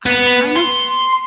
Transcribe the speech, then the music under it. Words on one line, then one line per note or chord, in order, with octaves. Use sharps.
I kind of
B3
C6